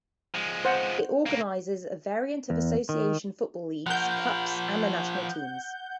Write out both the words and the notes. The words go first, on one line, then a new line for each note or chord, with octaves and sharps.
It organizes a variant of association football leagues, cups, and the national teams.
F3 G#3
C5 F#5
C2 A#3
E2
D#3
F3 A#4 F#5 G6